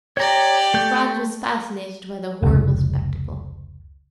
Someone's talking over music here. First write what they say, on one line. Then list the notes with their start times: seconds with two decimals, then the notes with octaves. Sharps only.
Franz was fascinated by the horrible spectacle.
0.17 G4 C#5 D5 A#5
0.74 A3 G6
2.43 F1 C#2